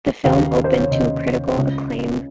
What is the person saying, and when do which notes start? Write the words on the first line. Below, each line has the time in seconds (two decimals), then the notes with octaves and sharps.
The film opened to critical acclaim.
0.24 D#2 C#3 F5
0.64 C5
0.77 C#5
0.91 D#2 C#3 D#5
1.56 C#2 C#3